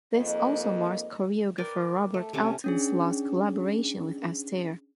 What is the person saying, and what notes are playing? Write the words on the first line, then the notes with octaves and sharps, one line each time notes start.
This also marks choreographer Robert Alton's last collaboration with Astaire.
F2 G#2 A#3 D#5
A#4 B4 D5 G5
A3
C3 A3 C#4 D6
C#4 D4 G#4